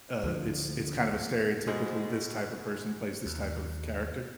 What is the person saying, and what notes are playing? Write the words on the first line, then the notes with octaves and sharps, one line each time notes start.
uh, it's it's kind of a stereotypical this type of person plays this type of character?
D2 D3 E3 F3
B2 G#3 C5
D#2